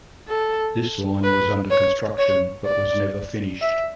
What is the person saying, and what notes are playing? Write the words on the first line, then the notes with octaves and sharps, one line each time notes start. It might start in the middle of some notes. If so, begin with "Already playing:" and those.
This line was under construction but was never finished.
A4
B4
C#5
C#5
D5
E5